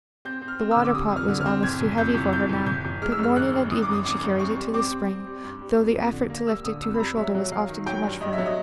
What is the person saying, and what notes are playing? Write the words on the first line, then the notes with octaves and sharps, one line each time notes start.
The water-pot was almost too heavy for her now, but morning and evening she carried it to the spring, though the effort to lift it to her shoulder was often too much for her.
C4 G6
C4
F6
C4
E6
D3
D6
G3 D#6
F2
F6
D3
F6
C4
F#1 G#6
F#1
F2 G6
F#1
F2 G6
F#1
F#1 G6
F#1
G#3 F6
E6
F#2 F6
G#1 F#6
F#2
G#1 D#6
D6
F#2 D#6
G#1 D6
F#2
C4 C#6
G3
C4 D6
G3
C4
G3
G2
G3
F2
F2
D3
A#3
G3 E6
D3 D#6
F2 E6
B5
G3 A#5
F#3 E5
F#3
F#3 F5
D#3
F#3 G5
G2
G2 D#5
E5
F#3
D#5